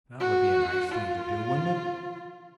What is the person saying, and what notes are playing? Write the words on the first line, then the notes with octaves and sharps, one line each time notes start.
That would be a nice thing to do, wouldn't it?
F#4
F4